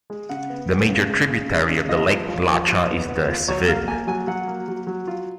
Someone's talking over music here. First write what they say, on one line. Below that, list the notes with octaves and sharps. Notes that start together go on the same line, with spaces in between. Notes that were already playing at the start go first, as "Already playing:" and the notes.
The major tributary of the Lake Lacha is the Svid.
G#3
C#3 F#5
B3
B3
C#3
G#3
C#3
G#3
C#3
F4 D#5
F3
F4
F3
F3
B3
B3
F4
F#3 C#5
A#3 F5
A#3 G#5
F#3 G#5
F#3 F#5
A#3
F#3
F#3
F4